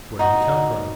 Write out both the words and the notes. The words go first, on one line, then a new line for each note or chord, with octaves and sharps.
Where had he come from?
D#4 F#4